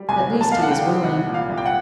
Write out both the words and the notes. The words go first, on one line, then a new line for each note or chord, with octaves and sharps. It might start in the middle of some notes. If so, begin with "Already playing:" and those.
At least he is willing.
Already playing: G3
C2 G#5
C2
A5
C2 F5
F#5
G5
G3
C2 F#5
A#2
F5
C2
G5
F#5